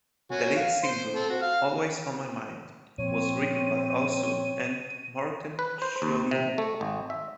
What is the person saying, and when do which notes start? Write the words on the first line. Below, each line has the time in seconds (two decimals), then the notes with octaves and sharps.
The lead single, "Always On My Mind", was written by Alsou and Morten Schjolin.
0.32 F#4 C#5 G#5
0.56 F5
0.83 C5 C6
1.16 C4 A4
1.30 F#4
1.42 F5 F6
2.98 A#2 F3 C4 C#5 D#7
5.59 B4
5.82 C5
6.02 D#2
6.31 C3
6.58 A3
6.81 G#1
7.10 E5